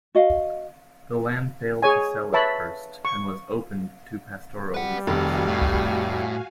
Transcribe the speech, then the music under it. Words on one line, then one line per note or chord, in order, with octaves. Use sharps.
The land failed to sell at first and was opened to pastoral leases.
F#4 D#5 F5
G#4 C#5 G#5
B4 C#5 E5 A5 B5
C#6
G3 B4 F#5
F1 D#3 C4 F#4 F5 G#5
A2